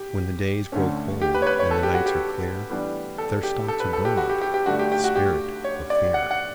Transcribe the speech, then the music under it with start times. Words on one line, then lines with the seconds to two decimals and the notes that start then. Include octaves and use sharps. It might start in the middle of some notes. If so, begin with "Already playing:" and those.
When the days grow cold and the nights are clear, There stalks abroad the spirit of fear.
Already playing: G4
0.72 D2 D3 A3 C#4
1.22 G4
1.35 B4
1.42 C#5
1.47 B4
1.59 C#5
1.71 A4
1.83 G4
1.94 F#4
2.06 G4
2.70 A2 E3 G3 B3 D4
3.18 A4
3.43 G4
3.68 A4
3.80 B4
3.93 A4
4.05 G4
4.17 F#4
4.30 G4
4.41 G4
4.54 G4
4.66 G2 D3 A3 D4 F#4
4.79 G4
4.92 G4
5.04 F#4
5.15 G4
5.64 C#5
5.90 D5
6.14 F#5
6.31 F#5